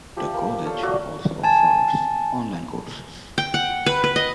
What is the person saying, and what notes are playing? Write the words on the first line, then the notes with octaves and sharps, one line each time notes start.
The college also offers online courses.
F3 G4 E5 E6
A#3
A4 C#5 F5
F#4 D5 E5 A#5
G#5 A5
G5
F#5
B4
B4
D#5